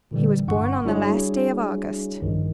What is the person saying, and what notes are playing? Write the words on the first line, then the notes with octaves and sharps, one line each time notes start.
"He was born on the last day of August."
A#2 D3 E3 G3
G1 G2 F#5 C#6
G3 D4 E4 F#4 G#4 C#5
A#1 G2 D#3